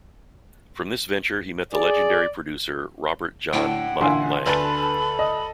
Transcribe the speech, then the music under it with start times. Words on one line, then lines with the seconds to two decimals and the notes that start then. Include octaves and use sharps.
From this venture he met the legendary producer Robert John "Mutt" Lange.
1.73 G#4 D5
3.53 A2 D3 F#5 G5
4.01 A1 A#2 D3 E4 G#5 C6
4.46 D2 A4 B4 A5 B5
5.19 D#5